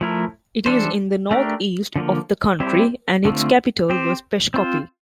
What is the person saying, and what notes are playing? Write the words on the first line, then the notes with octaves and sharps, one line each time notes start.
It is in the northeast of the country, and its capital was Peshkopi.
F3 A3 E4 A#4
E3 G3 D4 A4 C5
A3 D4 G4 A#4
D3 F3 A#3
G3 C4 E4 G4 C5
D3 A3 C4 F4
C4 G4 C5
C4 F4 C5